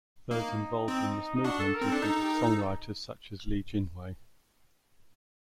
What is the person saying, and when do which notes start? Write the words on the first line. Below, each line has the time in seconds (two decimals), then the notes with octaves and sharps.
Those involved in this movement included songwriters such as Li Jinhui.
0.31 A#3 D#4
0.88 C4
1.36 D#4
1.44 D4 F#4
1.59 A4
1.74 A#4
1.81 C4
1.88 D4 A4
2.02 D#4 A4
2.15 A4
2.21 G4
2.33 A#4
2.41 A4
2.60 D#4